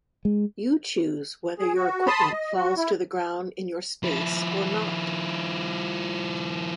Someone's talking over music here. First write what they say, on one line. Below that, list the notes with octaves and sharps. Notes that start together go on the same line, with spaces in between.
You choose whether your equipment falls to the ground in your space or not.
G#3
G#4
F#4
A5 B5 C6 D#6
D#5
F#4
E4
F3 E4